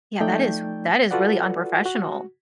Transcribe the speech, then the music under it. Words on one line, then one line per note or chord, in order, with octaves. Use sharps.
Yeah, that is that is really unprofessional.
F3 A3 D#4 D5 G5 G6
F4 F#4 A4 B4 D5 F#5
F#4